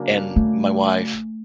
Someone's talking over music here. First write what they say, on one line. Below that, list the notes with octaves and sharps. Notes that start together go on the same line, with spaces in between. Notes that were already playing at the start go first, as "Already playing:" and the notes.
and my wife.
Already playing: C#3 F#3 A#3 D4
A3